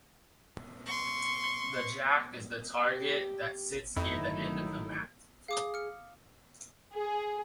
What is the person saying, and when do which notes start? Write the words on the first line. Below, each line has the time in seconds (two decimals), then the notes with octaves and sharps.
The 'jack' is the target that sits near the end of the mat.
0.86 C6 C#6
2.84 G4
3.97 G1 F2 D#3 F#3 A3 D#4 E4
5.48 G#4 F5 D6 D#6
5.74 F6 C#7
6.94 G#4